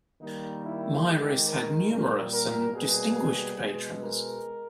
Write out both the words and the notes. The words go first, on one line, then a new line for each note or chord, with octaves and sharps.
Mieris had numerous and distinguished patrons.
D#3 G3 A#3 D#4
E4
D#3 G#3 G4
A#4
A#2 G3 A#3
A#4
B2 G3 A#3 G#4
B2 G#3
A#4